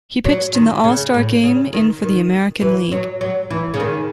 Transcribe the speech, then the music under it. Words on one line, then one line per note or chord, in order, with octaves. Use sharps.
He pitched in the All-Star Game in for the American League.
F#3
D#3
C#3
A2
C#3
D#3
D#3
E3
F#3
F#3
E3
C#3
D#3